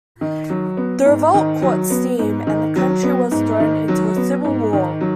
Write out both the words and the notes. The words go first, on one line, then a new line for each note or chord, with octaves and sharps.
The revolt caught steam and the country was thrown into a civil war.
D#3
F#3
B3
G#2
D#3
F#3
B3
G#2
D#3
F#3
B3
G#2
D#3
F#3
B3
G#2
D#3
F#3